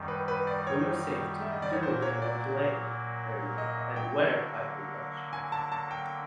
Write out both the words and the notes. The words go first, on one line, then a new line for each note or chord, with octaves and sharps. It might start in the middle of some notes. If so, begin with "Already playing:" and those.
For your safety, do it in a ventilated area and wear eye protection.
Already playing: F#2 D#3 G3
B4
B4
D5
C#5
E5
D#5
D5
C#5
A#2 F#3 A#3 C5
C#5
D5
D#5
D#5
G5
D3 F#3 A#3
G#5
A5
A5
G5